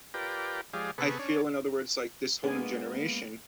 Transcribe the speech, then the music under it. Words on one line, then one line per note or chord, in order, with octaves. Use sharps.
I feel in other words, like, this whole new generation,
F4 G4 A#4 B4 D5 G5
F3 G#3 G4 G#4 D5 F5
C3 B3 G#4 A4 B4 C#6
C#4 D4 C#5
G#3 A#3 B3 D4 G#4 G#5